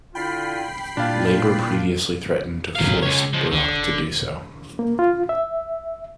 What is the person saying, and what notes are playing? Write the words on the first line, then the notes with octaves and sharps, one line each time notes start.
Labor previously threatened to force Barak to do so.
D3 E4 F4 G5 B5 C7
A#2 G3 D4 E4 F4 F5
F#3 F5
C#2 C#3 C#5
F3 G#3
C#2 D3
F1
A#3
F4
E5